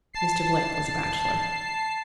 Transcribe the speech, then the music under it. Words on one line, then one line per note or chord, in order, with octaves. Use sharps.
Mr. Blake was a bachelor.
A5 C7